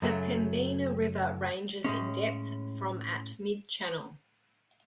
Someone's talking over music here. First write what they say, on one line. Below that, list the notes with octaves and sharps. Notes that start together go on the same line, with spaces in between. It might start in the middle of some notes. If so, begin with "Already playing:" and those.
The Pembina River ranges in depth from at mid-channel.
F#2 C#3 F#3 A3
A2 G#3 C#4